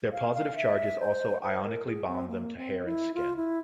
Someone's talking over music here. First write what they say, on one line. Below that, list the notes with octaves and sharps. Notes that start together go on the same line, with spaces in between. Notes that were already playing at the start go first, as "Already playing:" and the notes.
Their positive charges also ionically bond them to hair and skin.
F5
F5
E5
C5
C5
A#4
G#4
C4
A#3
C4
E4
F4
E4